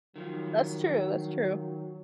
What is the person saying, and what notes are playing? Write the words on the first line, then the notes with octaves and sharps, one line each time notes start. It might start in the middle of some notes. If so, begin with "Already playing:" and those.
That's true, that's true.
D#3 F3 F#3